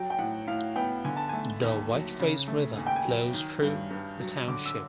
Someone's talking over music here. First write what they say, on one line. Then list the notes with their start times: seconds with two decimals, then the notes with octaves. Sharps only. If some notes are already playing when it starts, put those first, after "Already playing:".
The Whiteface River flows through the township.
Already playing: F#3 G5
0.10 G5
0.19 A2 F#5
0.48 A2 F5
0.76 B3 G5
1.05 D3 G#5
1.17 A5
1.29 A3 G#5
1.63 D#2
1.91 F#3
2.20 C#3
2.48 A3
2.76 D#2 G#5
2.87 G5
2.96 G#5
3.05 F#3
3.34 D#3
3.63 G2
3.91 G2
4.20 F#3
4.48 D3 D6
4.66 E6